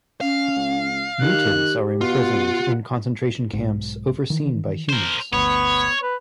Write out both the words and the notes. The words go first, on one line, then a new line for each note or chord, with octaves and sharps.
Mutants are imprisoned in concentration camps overseen by humans.
C#4 F5
C#2
D#3 G4 F#6
B2 F4 F#5
B1 G#2
D#3 E3
A#4 C5
G1 D2 B3 C#5
B4